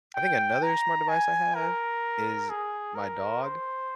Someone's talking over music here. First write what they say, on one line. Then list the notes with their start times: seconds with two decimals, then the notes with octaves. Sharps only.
I think another smart device I have is my dog.
0.16 G5
0.63 A#5
1.09 G#5
1.55 A#4
2.50 G#4
2.95 A#4
3.43 C5